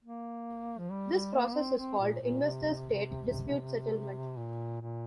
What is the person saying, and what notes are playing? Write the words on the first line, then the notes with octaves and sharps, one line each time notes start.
This process is called investor-state dispute settlement.
A#3
F3
G3
G3
A#3
C4
C4
A#2
A#2
C3
A#2
A#2